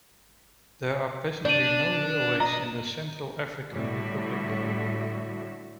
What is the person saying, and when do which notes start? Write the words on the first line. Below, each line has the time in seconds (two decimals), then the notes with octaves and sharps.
There are presently no railways in the Central African Republic.
1.45 D4 D5 D#7
2.40 D#5 A#5
3.73 A2 D3 G3 F#4 E5